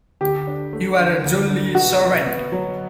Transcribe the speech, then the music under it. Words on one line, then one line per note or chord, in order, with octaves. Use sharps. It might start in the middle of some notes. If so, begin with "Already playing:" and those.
You are a jolly servant!
D2 G4
D4
A3
D3
D2
D4
B2 F#4
B2
B3
F#3